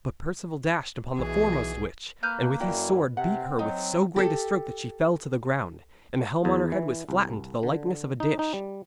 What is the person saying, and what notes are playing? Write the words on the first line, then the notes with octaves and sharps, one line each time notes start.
But Perceval dashed upon the foremost witch, and with his sword beat her with so great a stroke that she fell to the ground, and the helm on her head was flattened to the likeness of a dish.
B1 B2 E3 G#4
A#3 B4 F6 G6
F#2 E4 F#4 D5 G5
C3 C4 F#5
F#3 D#4
G4 A4
E2
E3
C2
D3
D#4
D#4
G3